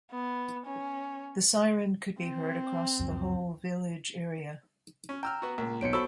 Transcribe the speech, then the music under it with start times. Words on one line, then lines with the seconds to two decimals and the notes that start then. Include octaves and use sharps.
The siren could be heard across the whole village area.
0.12 B3
0.66 C#4
2.19 C4
2.99 C#2 F#2 F3
5.09 C#4
5.23 G5 A#5 E6 F6
5.42 B3 F#4
5.58 C#2 A#2
5.81 B1 B3 C#5 C#7 D7
5.93 F#4 A4 C5 B5 C#6 E6